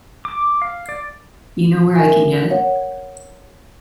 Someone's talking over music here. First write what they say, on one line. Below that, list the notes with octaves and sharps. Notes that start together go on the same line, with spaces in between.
You know where I can get it?
D6
F5
D5
A#4 E5 G#5
C#5 F5 F#5